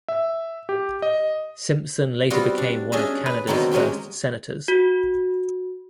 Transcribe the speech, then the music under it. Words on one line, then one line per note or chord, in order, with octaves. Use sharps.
Simpson later became one of Canada's first senators.
E5
G4
D#5
G3 B3 C4 F4 F#4
D4
C#4 D4 G#4 D#5 E5
B4
B2 D3 D#3 F#3 A#3 C4
F#3 G#3 C#4 G4 G5
F#4